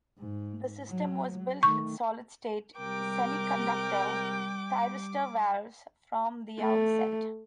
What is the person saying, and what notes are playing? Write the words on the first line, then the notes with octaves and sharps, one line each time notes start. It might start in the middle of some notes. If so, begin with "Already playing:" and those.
The system was built with solid-state semiconductor thyristor valves from the outset.
G#2
F#3
D#3 A3 C#6
C3 G3 G#3 A#4 G5 D6
A3